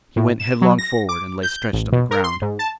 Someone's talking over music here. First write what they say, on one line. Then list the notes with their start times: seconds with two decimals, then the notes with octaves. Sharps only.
He went headlong forward and lay stretched on the ground.
0.16 A2
0.40 E7
0.62 F#3
0.79 A#6
1.09 D6
1.43 G6
1.73 A1
1.92 B2
2.11 A#4
2.24 C6
2.42 G#2
2.59 A5